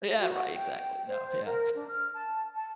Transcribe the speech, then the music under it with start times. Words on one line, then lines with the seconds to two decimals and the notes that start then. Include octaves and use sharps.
Yeah, right, exactly no, yeah.
0.20 F#4
0.54 G5
1.06 C5
1.45 A#4
1.75 D4
1.89 F6
2.15 A5
2.55 A5